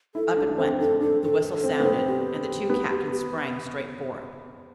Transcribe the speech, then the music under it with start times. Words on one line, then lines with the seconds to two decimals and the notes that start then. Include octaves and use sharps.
Up it went, the whistle sounded and the two captains sprang straight for it.
0.15 E4 A4
0.37 D4
0.50 D4
0.58 C4
0.79 D4 A4
1.00 D4 A4
1.22 A4
1.42 A4
1.64 C4
1.80 B3
1.85 C4
2.07 G4
2.70 B3